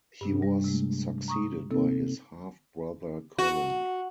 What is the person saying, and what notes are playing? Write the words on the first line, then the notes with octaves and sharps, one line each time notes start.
He was succeeded by his half-brother Colin.
G2 C3 D4
G3
C3 G#3 A3
A#5 C#6 D#6
C3 A#3 C4 D#4 A4
F#4